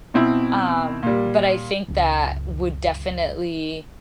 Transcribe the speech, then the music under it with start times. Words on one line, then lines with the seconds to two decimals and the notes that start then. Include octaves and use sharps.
Um, but I think that would definitely
0.14 B2 C4 E4
1.03 A#2 G3
1.88 C#2 F#2